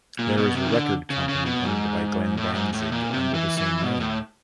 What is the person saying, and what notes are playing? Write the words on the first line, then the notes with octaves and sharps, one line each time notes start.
There is a record company owned by Glenn Danzig under the same name.
A#2
B2
C3
D#3
D3
C#3
C#3
B2
G#2
A2
G#2
A2
A#2
C3
E3
E3
B2
A2